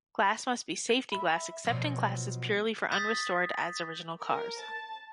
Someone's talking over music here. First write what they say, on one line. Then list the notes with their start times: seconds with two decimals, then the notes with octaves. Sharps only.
Glass must be safety glass except in classes purely for unrestored, as-original cars.
1.12 E5 B5
1.64 B2 F3 F#3
2.92 D#6 G6 A6 B6
4.21 A#4
4.60 A5